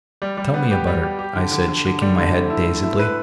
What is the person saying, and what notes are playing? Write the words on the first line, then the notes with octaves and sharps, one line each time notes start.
"Tell me about it," I said, shaking my head dazedly.
G3
G3
B3
G4
G3
G4
G4
D3
D3
D3
D3
G3
D3
A3
E4
A3
E4
B4